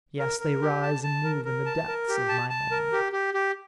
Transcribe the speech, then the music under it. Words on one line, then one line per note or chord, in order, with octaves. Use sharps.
Yes, they rise and move in the depths of my memory.
A#4
A#4
G4
A5
A5
A#4
A#4
A5
A#4
G4
A5
A5
A#4
G4
G4
G4